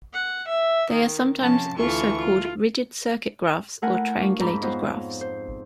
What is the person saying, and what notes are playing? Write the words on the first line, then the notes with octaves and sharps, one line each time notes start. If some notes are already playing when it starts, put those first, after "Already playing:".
They are sometimes also called rigid circuit graphs or triangulated graphs.
F#5
E5
D#3
C3 F3 C#4 A5
D2 E3 F4 A4 C#6
F4
A3 E4 A#4 F#5 G#5
D4 F4 C#6
F2 G#2 A#5 B5 D6
F2 B3 F4 C5 C#5 D#5
C5